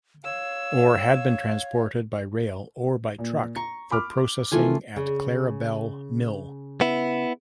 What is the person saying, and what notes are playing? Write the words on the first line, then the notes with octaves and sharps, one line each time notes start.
Ore had been transported by rail or by truck for processing at Clarabelle Mill.
C#5 F5 E6
A#2
A#5 C#6
B5 D6 F6
D#3 E3 A3 F4 G#5
C#3
B3 E4